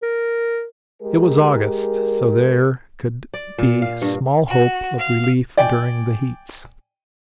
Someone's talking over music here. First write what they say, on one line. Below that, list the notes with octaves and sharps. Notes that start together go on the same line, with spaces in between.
It was August; so there could be small hope of relief during the heats.
A#4
G#3 G4 G#4 A#4
D5
A#2
F5
G2
F#4
F5
D5 G5 G#5